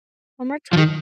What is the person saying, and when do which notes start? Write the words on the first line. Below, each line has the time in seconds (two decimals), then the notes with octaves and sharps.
One more time?
0.73 F3
0.77 D#3